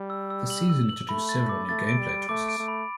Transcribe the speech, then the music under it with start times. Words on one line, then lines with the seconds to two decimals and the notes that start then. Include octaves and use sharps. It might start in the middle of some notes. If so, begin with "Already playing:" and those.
The season introduced several new gameplay twists.
Already playing: G3
0.10 E6
0.30 E6
0.50 F#7
0.70 E6
0.89 F#7
1.09 A3 B5
1.29 A6
1.49 D6
1.69 A3 A6
1.89 D7
1.99 G3
2.09 D7
2.29 A3 D6
2.49 D7
2.58 A3
2.68 B5